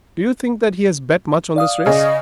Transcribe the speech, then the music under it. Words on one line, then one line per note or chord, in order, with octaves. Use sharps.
"Do you think that he has bet much on this race?"
D5 F5 D#6
C#3 G#4 D#5